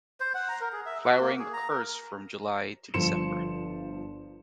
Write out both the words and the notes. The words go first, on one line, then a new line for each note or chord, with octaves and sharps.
Flowering occurs from July to December.
C5
F#5
A#5
A#4
G#4
E5
F#4
A#3
G#4
A#5
A#4
G1 F3 C6 C#7 E7